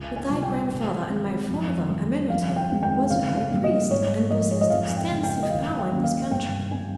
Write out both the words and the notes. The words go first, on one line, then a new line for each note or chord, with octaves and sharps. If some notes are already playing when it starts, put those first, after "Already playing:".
"But thy grandfather and my father, Amenhotep, was a high priest, and possessed extensive power in this country."
Already playing: C#2
G#5
C3 G3 C4 F4
G5
C3
D#3 G#3 C4
F2
D#3 G3
F2 F5
G5
D#3 G#3 C4 D#4
G5
C#3 F5
F5
G3 A#3 D#4
D#5
G#2 C#5
F3 G#3 D#4 D#5
C#5
D#5
F2 F5
G5
C#3 G#3 D#4
G5
D#5
D#2 F5
G5
D#3 A#3 C#4
F5
G2 G5
G3 C4 D#4 G#5